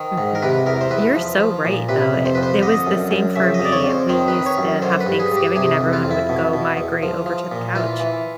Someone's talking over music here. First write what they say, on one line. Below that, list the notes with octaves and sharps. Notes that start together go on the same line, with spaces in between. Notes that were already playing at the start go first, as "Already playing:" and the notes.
Mhm, you're so right though, it it was the same for me, we used to have Thanksgiving, and everyone would go migrate over to the couch
Already playing: D#3 C5
G#2
A#4
C3 B4
E2 A#4
C5
E2 B4
F3
F3
A#2
C3 B4
F2
C5
F2 B4
C5
D3 D#5
F#2
F#2
C#3 E5
D#5
F2
D5
C#5
F2
C5
D#3 C5
B4
D#3
C#5
F#2
D3 C5
B4
G2
G#4
G2
G4
C3 G#4
F2
F4
F2
E4
B2
B2
E2
F3
F3
A#2
E3 F4
E3